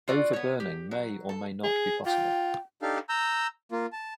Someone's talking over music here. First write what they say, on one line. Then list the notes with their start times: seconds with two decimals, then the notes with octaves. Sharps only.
Overburning may or may not be possible.
0.08 F4 F#4 D5
0.33 B3 C#5
0.60 G4
0.91 F#3
1.29 A4
1.63 G#4
2.06 F4 G5
2.82 D4 D#4 G4 A4 F5
3.09 A#5 E6 G6
3.72 A#3 F4
3.92 A5